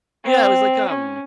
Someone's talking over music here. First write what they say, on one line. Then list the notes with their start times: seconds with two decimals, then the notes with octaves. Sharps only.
Yeah, it was like, um,
0.24 C4
0.88 C#4